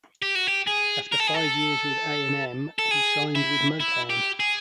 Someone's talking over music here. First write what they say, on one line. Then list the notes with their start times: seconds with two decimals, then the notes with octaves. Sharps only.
After five years with A and M, he signed with Motown.
0.22 G4
0.35 F#4
0.47 G4
0.68 G#4
1.12 A#4
1.20 A4
1.27 G#4
1.34 A4
2.79 A4
2.91 G#4
3.35 E4
3.81 E4
4.10 G4
4.40 G#4